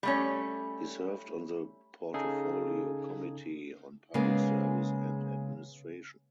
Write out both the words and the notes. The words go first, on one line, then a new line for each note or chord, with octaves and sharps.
He served on the Portfolio Committee on Public Service and Administration.
G3 A3 C#4
C#3 D#4 G#4 A4
C#3 G#3 A#3 B3